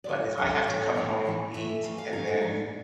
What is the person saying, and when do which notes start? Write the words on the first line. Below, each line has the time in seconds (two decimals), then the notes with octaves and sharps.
But if I have to come home, eat, and then
0.04 D5
0.08 F2 D3 G3 C#5
0.38 F2 D3 G3
0.67 A2 E3 A3 C#5
0.96 A2 E3 A3
1.25 E2 E3 A3
1.54 E2 E3 A3 E5
1.84 F2 E3 A3 F5
1.98 F5
2.12 F2 E3 A3 F5
2.27 E5
2.41 E2 D3 F3 A3 D5